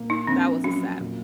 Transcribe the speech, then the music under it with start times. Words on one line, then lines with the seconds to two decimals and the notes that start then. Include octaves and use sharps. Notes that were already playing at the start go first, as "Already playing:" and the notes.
That was a sad
Already playing: A#2 A#3
0.10 D#4
0.27 A#1 C4
0.64 F#3 C#4
1.00 A#2